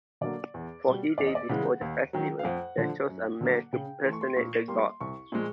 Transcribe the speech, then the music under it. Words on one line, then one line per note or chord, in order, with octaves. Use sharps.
Forty days before the festival, they chose a man to personate the god.
D3 F#3 A#3 D5
E2
B2 G3
E2 D5
D#5
D5
C#3 E3 G#3 F#5
D#2
D#3 F#3
F5
F2 F#5
D3 F3
F#2
D3 F#3 A#3
C#3 G5
E3 A3 C6
C#6
C6
A#2 C#6
G3 A#3 C6
C2 C#6
A#2 F3 G#3